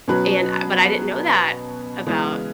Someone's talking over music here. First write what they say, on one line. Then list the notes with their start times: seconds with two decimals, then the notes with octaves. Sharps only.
and I but, I didn't know that about
0.08 B2 F#3 C#4 F#4 B4
2.06 C#3 E3 G#3 B3